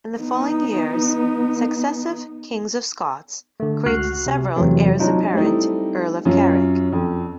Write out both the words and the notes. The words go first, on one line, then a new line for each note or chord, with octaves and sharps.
In the following years, successive Kings of Scots created several heirs-apparent Earl of Carrick.
B3 D#4
D3 A3
C#2 F#4 F6 F#6 C7
C3
E2 C3 E3 F#3 A3 C4
F#3 D4 D#4 F4
G3 A3 C4 D#4 E4
F#2 C#4 F4
F2